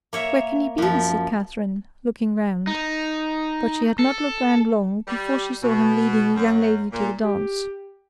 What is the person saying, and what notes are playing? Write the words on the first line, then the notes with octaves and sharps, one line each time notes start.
"Where can he be?" said Catherine, looking round; but she had not looked round long before she saw him leading a young lady to the dance.
A#3 C#5 E5
F#2 F3
D#4
A4
G3
B2
F#2
A#2
G4